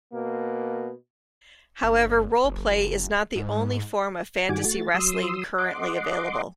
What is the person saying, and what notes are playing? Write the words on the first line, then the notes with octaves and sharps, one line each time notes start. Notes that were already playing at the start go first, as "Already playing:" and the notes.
However, roleplay is not the only form of fantasy wrestling currently available.
B2 A#3
G1
F#1
G#2
G2 D#3 G3 F#4 G#5 D6
A3 F#4 A6
F#3 C6 D#6 E6
D#5 F#5 C6 D6